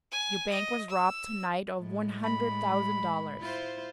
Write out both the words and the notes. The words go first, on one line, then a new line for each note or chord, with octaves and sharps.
Your bank was robbed to-night of one hundred thousand dollars.
G#5
D#5
E6
A2 G#3
B5
E4 F4 C5